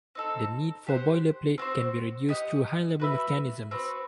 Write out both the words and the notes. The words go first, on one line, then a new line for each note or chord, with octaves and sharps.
The need for boilerplate can be reduced through high-level mechanisms.
C4 D#4 A4
G4 C5 F#5
C4 F#4 C5
G4 D#5 F#5
F#4 B4 E5
C4 F#4 B4